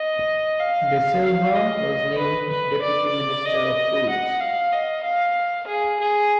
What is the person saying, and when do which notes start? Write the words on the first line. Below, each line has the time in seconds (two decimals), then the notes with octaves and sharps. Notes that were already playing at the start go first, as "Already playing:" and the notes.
De Silva was named deputy minister of foods.
Already playing: D#5
0.60 F5
1.24 F5
1.55 D#5
2.18 B4
2.50 B4
2.82 D5
3.46 D#5
4.10 F#5
4.40 F5
4.73 D#5
5.04 F5
5.67 G#4
6.00 G#4